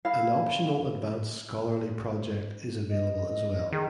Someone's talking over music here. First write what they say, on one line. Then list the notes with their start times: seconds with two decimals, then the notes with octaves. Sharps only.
An optional advanced scholarly project is available as well.
0.05 E4 F5
2.90 D#5
3.72 D#3 G#4